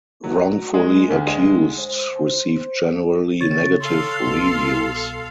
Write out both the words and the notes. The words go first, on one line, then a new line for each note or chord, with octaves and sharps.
"Wrongfully Accused" received generally negative reviews.
F#3
G#3
D2
G#3
C5
C#3 C#5 A6
A4 F5 C6
C2 B2